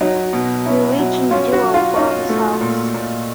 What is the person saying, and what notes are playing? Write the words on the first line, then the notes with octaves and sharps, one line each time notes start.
Norwegian duo Bobbysocks!
F#3 D#4
B2
C#4 E4
F#3
C#4 F4
F#4
F#3
F4
C#4 D#4
A3
A#2
A#2